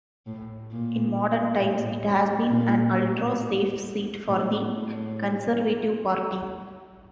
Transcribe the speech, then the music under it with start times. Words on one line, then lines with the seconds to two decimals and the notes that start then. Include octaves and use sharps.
In modern times it has been an ultra-safe seat for the Conservative Party.
0.26 A2
0.71 A#2
1.60 A2
2.49 A#2
2.94 A2
4.28 A2
4.73 A2